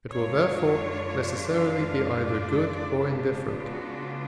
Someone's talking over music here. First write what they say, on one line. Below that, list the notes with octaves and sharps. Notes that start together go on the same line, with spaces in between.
It will therefore necessarily be either good or indifferent.
F#2 D3 G#3 D4 F4 C#5
F5
D5
C#3 G#3 B3 D4 F4
F#4